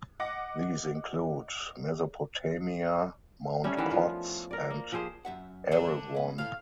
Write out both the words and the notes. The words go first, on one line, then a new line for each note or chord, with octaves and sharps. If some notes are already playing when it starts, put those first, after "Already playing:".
These include Mesopotamia, Mount Potts, and Erewhon.
D#5 F#5 D6 A#6
G3 A3 C#4
D#3 E3 B3
F3 F4
A#4 D5
A#3
F3 G4 G#4 C5
F#2 E5 F#5
D3 D4
B3 C#4
A2 A3 F5